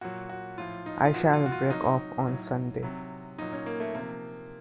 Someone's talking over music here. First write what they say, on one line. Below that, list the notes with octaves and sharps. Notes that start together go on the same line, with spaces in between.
I shall break off on Sunday.
A#2 F#3 F#4
F#4
A2 F3 F4
D#4
F4
A#2 F3 F#4
F#4
F4
F#4
F4
C3 F#3 D#4
A2 F#3
C3 F#3
A#2 F#3 D#4
C#4
A#3
A3
C3 F3 A#3